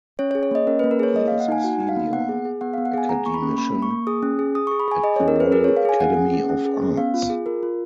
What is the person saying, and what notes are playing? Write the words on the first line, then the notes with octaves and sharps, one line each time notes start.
He is a Senior Academician at the Royal Academy of Arts.
C#4 C#5
C#5
G#4
C#5
A#3 D#5
C#4 A#4
B4
A#3
A#4
G#4 C#5
A#3 D#5
F5
A#3
F#5
D#4 G#5
F#4 F#5
D#4
F5
A#3
B3 F#5
G#4
G#4
B3 F#5
F5
B3
F#5
G#4 G#5
G#4 A#5
A#3 C#6
B5
C#4
A#3 B5
A#3
C#6
A#3
G#4 D#6
C#4
G#4
G#4 D#6
C#6
G#4
B5
G#4 G#5
G#4 D#5
C#5
C#4
A#4
G#4 B4
G#4 A#4
C#5
G#4
F5
G#4 G#5
G#4 F#5
C#4
G#4
C#4
G#4
C#4
B3 F5
F4
G#4
F4 A#4
F4